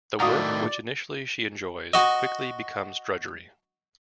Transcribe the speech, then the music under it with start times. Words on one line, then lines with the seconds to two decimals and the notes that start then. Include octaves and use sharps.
The work, which initially she enjoys, quickly becomes drudgery.
0.20 A2 D#3 F#4 D5 F5 F#5 A#5 D#6
1.94 F#4 D#5